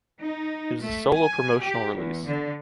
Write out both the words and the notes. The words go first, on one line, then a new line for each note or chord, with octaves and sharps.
It is a solo promotional release.
D#4
A3
G#5
G4
E2
D3